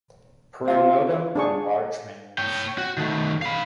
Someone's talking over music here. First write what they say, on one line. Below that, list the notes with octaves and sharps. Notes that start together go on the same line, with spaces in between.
Pronotum in large males.
F4 F5
D4 G#4 C#6
C#5 G5
F#4
D#3 A3
F5 B5